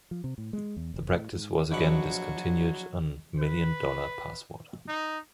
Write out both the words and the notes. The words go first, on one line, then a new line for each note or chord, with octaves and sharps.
The practice was again discontinued on Million Dollar Password.
F3
C3
A2
G#3
E2
F1
A2
G#2
A#1 B2 F#3 F#5
B4
D#4